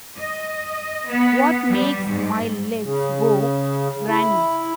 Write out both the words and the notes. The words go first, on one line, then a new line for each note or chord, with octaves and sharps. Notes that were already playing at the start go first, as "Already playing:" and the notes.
What makes my legs go, granny?
D#5
B3
G3
G#2
C#3
E4